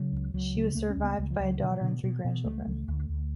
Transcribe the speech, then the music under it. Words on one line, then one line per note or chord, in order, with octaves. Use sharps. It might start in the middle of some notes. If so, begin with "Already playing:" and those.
She was survived by a daughter and three grandchildren.
Already playing: C#3 F#3
C#2
C#2 F#3
C#3
C#2 A3
C#4
C#2
B3
C#2 G#3
F3
C#2 F#3
B2 D3
F3
B2 D3
B2
B2
C#2 A3
C#2
D2
D2